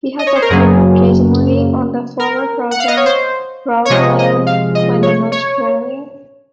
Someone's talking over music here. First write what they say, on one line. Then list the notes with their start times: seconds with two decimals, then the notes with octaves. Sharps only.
He has appeared occasionally on the former program "Rove Live" when in Australia.
0.19 D#5
0.27 C#5
0.35 C5
0.42 A#4
0.50 F#2 C#3 F#3 A#3 G#4
2.19 A#4
2.71 F#5
2.80 F5
2.88 D#5
2.97 C#5
3.05 C5
3.85 C#5
3.90 C3 F3 G#3 D#5
4.19 D#5
4.46 F5
4.75 D#5
5.03 C#5
5.32 C#5